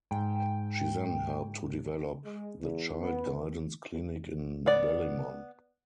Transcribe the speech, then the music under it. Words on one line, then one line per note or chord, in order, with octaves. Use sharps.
She then helped to develop the Child Guidance Clinic in Ballymun.
G#2 G5
G#3
E2
B3
B3 D5